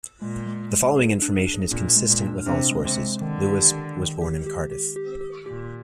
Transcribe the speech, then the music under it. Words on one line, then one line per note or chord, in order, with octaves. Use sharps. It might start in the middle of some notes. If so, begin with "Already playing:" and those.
The following information is consistent with all sources: Lewis was born in Cardiff.
A#2 G#3
G#3
G#3
G#4
D4
D4
A#2 D4
G#3
A#2
D4
C3 D4
G#3
C3
G#3
D3 D#3
G4
D#3
D#3
G4
G4
G4
G4
G4
A#2 G4